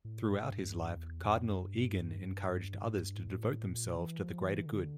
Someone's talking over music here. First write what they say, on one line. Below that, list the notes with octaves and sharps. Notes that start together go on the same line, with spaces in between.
Throughout his life, Cardinal Egan encouraged others to devote themselves to the greater good.
A2
G2
E2
F2
F#2
G2
G#2
G2
G#2
A2
A#2
E3
F3
E3
D3